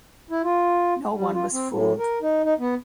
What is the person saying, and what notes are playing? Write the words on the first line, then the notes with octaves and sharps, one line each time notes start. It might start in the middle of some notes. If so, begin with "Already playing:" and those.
No one was fooled.
E4
F4
G3
F4
C4
A2
A#4
D#4
D#4
B3